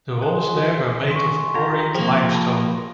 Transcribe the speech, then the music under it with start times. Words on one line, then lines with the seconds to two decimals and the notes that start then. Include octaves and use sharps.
The walls there were made of quarried limestone.
0.22 G#3 F#6
0.53 E3 F#4 D#5
1.11 D#3 C6 C#6
1.54 F4 G4 A#5 G#6
1.95 F3 A#3 G#4 C5 G5
2.34 G5 A5 B5